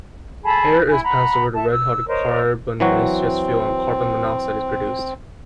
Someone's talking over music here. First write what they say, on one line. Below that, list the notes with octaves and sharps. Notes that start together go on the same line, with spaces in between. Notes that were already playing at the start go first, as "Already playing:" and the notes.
Air is passed over the red-hot carbonaceous fuel and carbon monoxide is produced.
G#4 A4 A5 B5
E4 G#5 B5
F#5 A#5 B5
A4 E5 A5
E6
A#4 C5 C#5 D#5
E3 F#3 C4 F#4